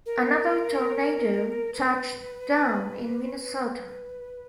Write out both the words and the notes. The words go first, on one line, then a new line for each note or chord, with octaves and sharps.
Another tornado touched down in Minnesota.
A#4
B4
B4